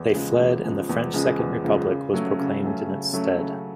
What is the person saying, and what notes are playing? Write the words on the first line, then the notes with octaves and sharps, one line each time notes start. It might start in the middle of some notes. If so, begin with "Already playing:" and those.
They fled and the French Second Republic was proclaimed in its stead.
Already playing: E2
C#3 F3 G#3
E2
C#3 F3 G#3
E2
C#3 F3 G#3
E2
C#3 F3 G#3
C#3
F#3 A3 C#4
C#3
F#3 A3 C#4
C#3
F#3 A3 C#4
C#3